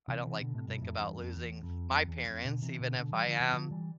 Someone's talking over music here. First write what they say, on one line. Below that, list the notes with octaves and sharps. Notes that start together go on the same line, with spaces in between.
I don't like to think about losing my parents even if I am
C3 E3
C3 E3
B2 D3
A2 C3
G2 B2
F2 A2
E2 G2
F2
E2
F2
F2
E2
F2
B2 D3
C3 E3
B2 D3
B2 D3
E3 G3
D3 F3
C3 E3
D3 F3
E3 G3